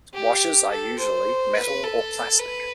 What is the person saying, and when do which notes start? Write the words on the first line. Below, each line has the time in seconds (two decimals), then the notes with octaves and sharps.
Washers are usually metal or plastic.
0.14 G4
0.71 A4
0.99 C5
1.55 B4
1.83 A4
2.39 B4